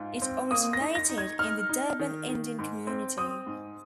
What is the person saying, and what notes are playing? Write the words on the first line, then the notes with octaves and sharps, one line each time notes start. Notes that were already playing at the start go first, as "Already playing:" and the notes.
It originated in the Durban Indian community.
Already playing: G#2 F4
C4
A#3 D#6
A#6
D#4
A#6
D#4
G#6
D#4 F6
D#4
D#3
D#3
G#2
C4
C4 D#6
G#2